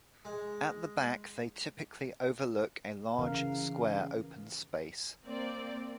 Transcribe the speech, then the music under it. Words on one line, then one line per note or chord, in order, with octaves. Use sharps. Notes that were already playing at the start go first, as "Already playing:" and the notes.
At the back they typically overlook a large square open space.
G#3
C#3 E3 A#4 F5
A#3 C4 D5